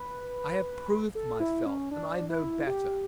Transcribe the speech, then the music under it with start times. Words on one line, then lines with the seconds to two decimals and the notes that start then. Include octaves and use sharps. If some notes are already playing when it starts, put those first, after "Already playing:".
I have proved myself, and I know better.
Already playing: B4
1.15 A4
1.40 E4
1.66 C#4
1.91 D4
2.29 E4
2.67 G4